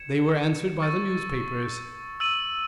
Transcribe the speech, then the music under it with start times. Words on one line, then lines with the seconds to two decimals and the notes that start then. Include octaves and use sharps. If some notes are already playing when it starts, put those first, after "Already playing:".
They were answered by the newspapers.
Already playing: G#6 C#7 E7
0.80 C#6 E6 A6
2.20 E6 A6 D#7 F#7